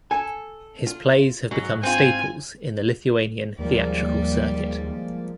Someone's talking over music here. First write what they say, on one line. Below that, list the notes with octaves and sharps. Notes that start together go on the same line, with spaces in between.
His plays have become staples in the Lithuanian theatrical circuit.
A4 G#5
F4
G#2 F#3
C4 F4 G#5
D#2 F3 G3 G#3 A#3 D5